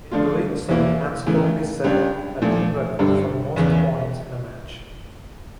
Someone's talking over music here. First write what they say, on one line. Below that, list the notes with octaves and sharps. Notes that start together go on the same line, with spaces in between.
In doing so, Anscombe set a team record for most points in a match.
D3 F3 A3 D4 F4
E2 E3 A#3 E4
C#3 E3 A3 E4
C#2 C#3 G3 D4
A#2 F3 A3
G2 D3 G3
E2 C#3 E3